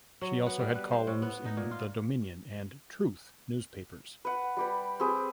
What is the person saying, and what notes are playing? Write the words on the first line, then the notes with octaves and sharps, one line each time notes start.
She also had columns in "The Dominion" and "Truth" newspapers.
F#3
B3
G3
B4
C5
A2
B3
D#4
A#2
F4
B4 F#5
G3 G4 B4
C4 G4 G#4 B4